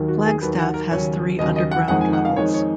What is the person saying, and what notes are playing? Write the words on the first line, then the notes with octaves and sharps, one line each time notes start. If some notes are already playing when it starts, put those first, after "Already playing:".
Flagstaff has three underground levels.
Already playing: D#2 D#3 F#3
F#4
G#4
D#2 D#3 F#3 B4
F#5
A#4
D#2 C#3 F#3 C#4 C#5
D#2 C#3 F#3 C#4 D#5
D#5
F#5
F2 D#3 G#3 D#4 F#5
G#5
F#5
F5
F2 D#3 G#3 D#4 C#5
C#5